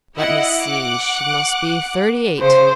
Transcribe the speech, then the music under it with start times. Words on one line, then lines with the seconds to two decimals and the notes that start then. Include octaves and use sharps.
Let me see--she must be thirty-eight.
0.17 E4 D#5 F#5
0.59 F#5 D6 F#6
2.40 C#3 C5